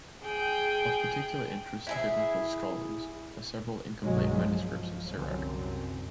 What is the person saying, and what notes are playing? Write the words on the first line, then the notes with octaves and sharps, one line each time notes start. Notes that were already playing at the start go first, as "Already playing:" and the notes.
Of particular interest to biblical scholars are several incomplete manuscripts of Sirach.
G#4 G5
E4 G#4 E5
B1 G2 D3 F#3 G#3
F3
C2 F#2 D3 F#3 C4